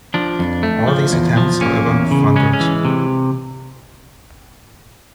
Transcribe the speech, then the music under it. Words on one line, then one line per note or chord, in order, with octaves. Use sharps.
All these attempts, however, foundered.
F3 D4
F2
A3
F3
E2
F3
A#3 C#4
E2
C#3
G#3 C#4
C#4
E3
C3